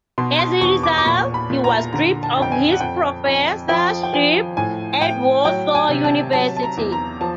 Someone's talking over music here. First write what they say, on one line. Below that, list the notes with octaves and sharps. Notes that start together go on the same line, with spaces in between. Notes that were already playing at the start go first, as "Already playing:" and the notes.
As a result, he was stripped of his professorship at Warsaw University.
B2 C6
C6
E2 C#6
D6
D6
A#2 C#6
B5
A#2
A#5
D3 A#5
A5
F2
G5
G#5
F#5
F2 G5
F2 G#5
F3 G5
G5
F3 G#5
A2 G#5
A2 G5
F#3 G5
G#5
C3
A5
F#3 A5
A5
A#5
E2
A#5
F3 A5